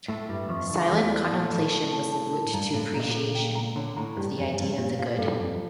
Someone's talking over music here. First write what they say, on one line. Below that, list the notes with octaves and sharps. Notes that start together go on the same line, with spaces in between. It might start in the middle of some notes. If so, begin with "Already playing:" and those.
Silent contemplation was the route to appreciation of the Idea of the Good.
A2 A3 E5
G2 G3 E5
F2 F3 C#6
D3 E5
E2 E3 A4
D5
A#2 A5
A2 A4
A5
A5
A5
A#4
G2 A#5
A2 A4
A#2 A#5
A4
G5
A#5
D3 C#5
A2 A#5
G2 G4
F2 G4
G2 C#5
A#2 G4
A#2 F5
G2 A4
F2 F4